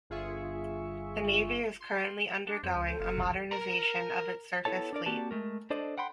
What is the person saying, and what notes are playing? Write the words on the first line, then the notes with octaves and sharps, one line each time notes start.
The navy is currently undergoing a modernization of its surface fleet.
G1 F4 G#4 E5 C#6
C6
D4
F2 C5
C#2
A4
F#1 F4
C2 F2 E3
A#4 A#5
B3 E4 A4 C#5 A5
D4 A#4 D5
A#3 C4 F#4 G4 D5 A5
G#3 A3 A#4
D4 A4 C5 D5 D#5
F#5 G5 B5 C6